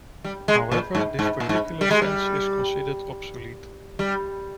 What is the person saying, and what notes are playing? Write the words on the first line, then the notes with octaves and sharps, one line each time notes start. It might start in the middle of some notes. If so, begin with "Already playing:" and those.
However, this particular sense is considered obsolete.
G3
G#3
A#2
G#2
G#2
A#2
G#2
G3
G#3
G3
G3